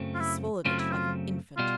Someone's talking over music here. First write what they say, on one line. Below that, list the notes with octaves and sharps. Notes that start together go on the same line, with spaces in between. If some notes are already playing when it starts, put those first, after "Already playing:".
He swallowed it like an infant.
Already playing: F#2 C#3 F#3 A3 C4
F4
E4
F#2 C#3 F#3 A3 C4 F4
E4
F4
B2 G3 F4